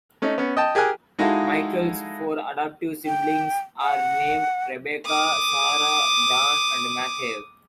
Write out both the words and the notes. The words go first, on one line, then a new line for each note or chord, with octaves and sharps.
Michael's four adoptive siblings are named Rebecca, Sara, Dan, and Matthew.
A3 C#4 D#4
B3 C#4
D#5 G5 A5
G4 G#4 A#4 G#5 F#6
G#3 D#4 E4 F#4 A4 F5
G5
F#5
D6 D#6